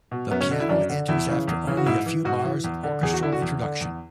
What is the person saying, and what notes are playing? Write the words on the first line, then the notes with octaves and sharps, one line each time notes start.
The piano enters after only a few bars of orchestral introduction.
B2
F#2 B3
C#4
D3
E4
F#2 D4
D3
E2 E4
C#3 E3
E2
C#3 E3
F#4
G#2 E4
E3
G#2 F#4
E3
E2
D3
E2 G#4
F#4
D3 E4
F#4
E2
D3
E2